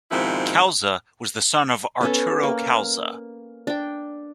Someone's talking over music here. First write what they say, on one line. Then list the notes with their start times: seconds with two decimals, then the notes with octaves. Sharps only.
Calza was the son of Arturo Calza.
0.11 G#2 B2 D#3 F3 C4 E4
2.01 B3 C#4 A4
2.43 A#3
3.67 D4 G5